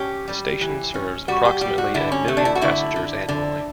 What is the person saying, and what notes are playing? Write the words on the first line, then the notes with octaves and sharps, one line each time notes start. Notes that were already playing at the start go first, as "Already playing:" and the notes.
The station serves approximately a million passengers annually.
Already playing: C#4 G4
G3
E3
C#4
G3 F#4
G4
G3 G4
F#4
D3 E4
C#4
A3
D4
E4
F#4
D3 E4
D3
D3